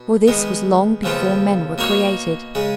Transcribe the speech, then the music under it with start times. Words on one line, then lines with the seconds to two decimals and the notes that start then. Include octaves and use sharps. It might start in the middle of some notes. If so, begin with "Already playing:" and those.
For this was long before men were created.
Already playing: B2
0.28 D#3 G#3 B3
1.03 D#2 C#3 F3 B3 F4
1.78 B2 A#3 D#4 F#4 C#5
2.55 C#3 G#3